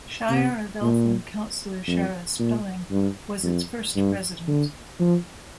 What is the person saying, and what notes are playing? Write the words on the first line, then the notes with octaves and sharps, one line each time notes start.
Shire of Eltham Councillor Charis Pelling was its first President.
C3
A#2
F2
A#2
G2
F2
G2
D3
F3